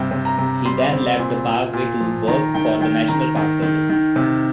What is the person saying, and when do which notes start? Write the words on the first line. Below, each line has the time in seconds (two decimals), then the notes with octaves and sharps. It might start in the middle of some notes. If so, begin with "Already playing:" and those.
He then left the Parkway to work for the National Park Service.
Already playing: G2 C3 G5
0.11 C3
0.25 A#5
0.39 C3
0.65 G3 C6
0.93 C4
1.19 A#2
1.47 A#2
1.73 A#2
2.00 F3
2.27 D#3 A#5
2.55 D#3 G5
2.81 D#3 G5
3.08 D#3 A#5
3.36 D#3
3.62 D#3
3.90 D#3
4.16 C3